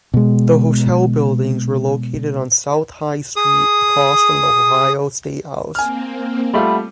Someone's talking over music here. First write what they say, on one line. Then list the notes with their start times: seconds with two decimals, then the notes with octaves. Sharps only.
The hotel buildings were located on South High Street across from the Ohio Statehouse.
0.14 B2 G#3
3.36 G#4 D#6
5.75 A#3 C4 G#5 F6
6.53 G3 A3 F4 F#5 B5